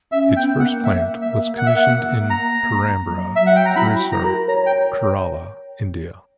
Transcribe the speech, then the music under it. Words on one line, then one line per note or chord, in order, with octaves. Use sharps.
Its first plant was commissioned in Perambra, Thrissur, Kerala, India.
C#4 E5
B3 G5
A#3 F#5
A#3 E5
E5
F#5
E5
F#5
A#5
F#3
F#3 E5
F#5
G5
A#5
E4 B5
F#4
A#5
A#4
C#5 A#5
G5